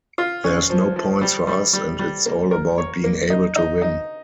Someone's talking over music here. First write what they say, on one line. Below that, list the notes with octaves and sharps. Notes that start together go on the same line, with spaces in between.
There's no points for us and it's all about being able to win.
F4
C#4
F3
F3
G3
G3
G3
G3
A#3
A#4
C#5
A#3
D#4
D#4
D#4